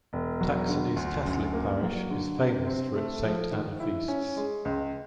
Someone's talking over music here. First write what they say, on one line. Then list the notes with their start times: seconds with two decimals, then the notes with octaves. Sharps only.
Taksony's Catholic parish is famous for its Saint Anna feasts.
0.13 E1
0.41 F#3
0.68 D3
0.96 D2
1.25 F#2
1.53 A#3
1.82 F#3
2.10 D3
2.38 C3
2.67 C4
2.95 A3
3.23 F3
3.51 D#3
3.80 E4
4.08 C#4
4.36 G#3
4.65 C#2